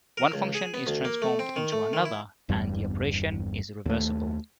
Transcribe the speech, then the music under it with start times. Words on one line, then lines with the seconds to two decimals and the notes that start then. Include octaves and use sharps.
One function is transformed into another, and the operation is reversible.
0.17 A#4
0.33 C#2
0.55 G#4
0.74 B3
0.87 D2
1.05 A#3
1.22 A3
1.39 C4
1.56 D#3
1.72 A3
1.93 D#3
2.05 E4
2.49 G1 E2 G2 G3
3.86 D#2 A3